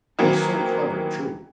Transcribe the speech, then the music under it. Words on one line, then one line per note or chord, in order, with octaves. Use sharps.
"He's so clever, too!"
D#3 E3 F#3 A#3 C4